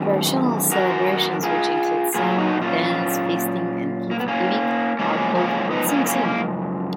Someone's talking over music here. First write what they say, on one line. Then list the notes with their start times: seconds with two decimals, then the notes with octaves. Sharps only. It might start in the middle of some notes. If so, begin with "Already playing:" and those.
Traditional celebrations, which include song, dance, feasting and gift-giving, are called "sing-sing".
Already playing: F#2 D#3 G#3
0.72 F#4 A#4
1.43 F4 G#4
2.14 A#2 F#3 A#3 F4 G#4
2.38 D#4 F#4
2.62 C#4 F4
4.11 A#3
4.20 B3
4.28 A#3 C#4
4.99 F#2 C#3 F3 G#3 A#3 C#4
5.35 A#3 C#4
5.71 B3 D#4
5.89 A#3 C#4
6.06 A#3 C#4
6.24 A#3